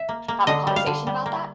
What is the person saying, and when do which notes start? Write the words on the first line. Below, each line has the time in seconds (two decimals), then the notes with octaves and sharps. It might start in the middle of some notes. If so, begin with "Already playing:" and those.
have a conversation about that?
Already playing: E5
0.09 A#3
0.28 A#3
0.47 D3 D#5
0.67 G3
0.76 F5
0.87 D3
1.07 G3
1.26 A#3